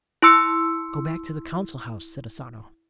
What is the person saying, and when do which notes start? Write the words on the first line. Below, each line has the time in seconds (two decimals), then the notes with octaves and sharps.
"Go back to the Council House," said Asano.
0.22 E4 C6 E6 C#7